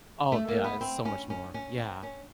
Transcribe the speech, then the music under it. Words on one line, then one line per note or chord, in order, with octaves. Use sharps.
Oh, yeah, it's so much more, yeah.
A3
A#3
B3
C4
C#4
C#4
C#4
C4
C#4